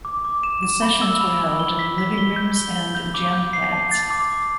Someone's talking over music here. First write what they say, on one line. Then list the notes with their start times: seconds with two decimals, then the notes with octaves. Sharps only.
The sessions were held in living rooms and jam pads.
0.05 D6
0.25 D6
0.43 E7
0.63 E7
0.82 B5
1.01 E6
1.21 B5
1.40 B5
1.60 G7
1.79 B6
1.98 B6
2.18 G7
2.36 G6
2.56 G7
2.76 G7
2.95 G6
3.14 D6
3.33 G6
3.53 C7
3.72 A5
3.91 A6
4.10 D6
4.30 D6